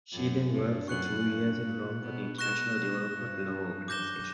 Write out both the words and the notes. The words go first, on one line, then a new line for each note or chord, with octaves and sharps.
She then worked for two years in Rome for the International Development Law Organization.
F#2
G2
F#2 C#6 F#6 C#7 F#7
G2
A#2
B2
B2 C#6 F#6 A#6 E7
B2
G2
F#2 D6 G6 A#6 E7 G7